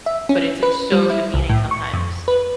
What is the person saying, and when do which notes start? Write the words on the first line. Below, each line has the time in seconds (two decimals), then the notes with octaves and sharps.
but it's, like, so defeating sometimes
0.06 E5
0.29 C#4
0.63 B4
0.92 G3
1.10 E4
1.34 C2
1.49 A2
1.71 C#6
1.94 F2
2.28 B4